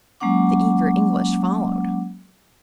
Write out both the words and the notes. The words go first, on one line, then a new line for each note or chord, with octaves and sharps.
The eager English followed.
F#3 G#3 A#3 C#4 F#5 D6